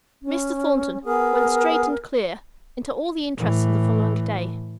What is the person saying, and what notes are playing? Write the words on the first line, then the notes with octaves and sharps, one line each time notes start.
Mr. Thornton went straight and clear into all the interests of the following day.
C#4
B3 G#4 A#4
A2 E3